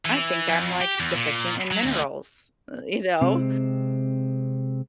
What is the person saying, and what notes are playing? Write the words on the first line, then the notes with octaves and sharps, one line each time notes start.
I think I'm, like, deficient in minerals, uh, you know?
E3
F2
G4
E2
A#2
F#3
D2
C3 G#3 C4